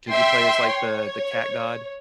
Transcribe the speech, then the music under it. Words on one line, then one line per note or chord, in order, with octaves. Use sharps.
'cause you play as, like, the the cat god.
E5 G5 C6
C#5